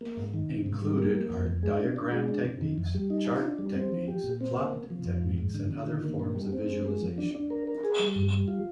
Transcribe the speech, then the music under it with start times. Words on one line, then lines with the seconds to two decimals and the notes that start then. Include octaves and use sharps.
Included are diagram techniques, chart techniques, plot techniques, and other forms of visualization.
0.01 A#3
0.17 G#2
0.34 D#3
0.49 C3
0.66 G#2
0.82 G3
0.98 A#3
1.15 A#3
1.30 F2
1.47 F2
1.63 G#3
1.80 D4
1.96 D4
2.12 G#3
2.28 D4
2.45 C3
2.61 D#3
2.78 F2
2.94 G3
3.10 D#4
3.26 F4
3.43 D4
3.59 G3
3.75 C4
3.92 F3
4.08 G4
4.24 A#2
4.41 C4
4.58 A#3
4.73 C3
4.90 F3
5.06 F2
5.22 G#2
5.38 G#2
5.55 D3
5.71 D3
5.87 D#3
6.04 A#3
6.20 A#2
6.36 G3
6.53 C4
6.69 G#3
6.85 G#3
7.01 F3
7.18 D4
7.35 D4
7.50 A#4
7.67 A#4
7.84 G#4
7.99 G3
8.16 G2
8.32 G3
8.48 F4